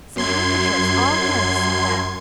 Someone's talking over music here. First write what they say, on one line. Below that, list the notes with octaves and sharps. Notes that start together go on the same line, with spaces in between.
"Some handkerchiefs, all hemmed," said Beth.
F#2 C6 G#6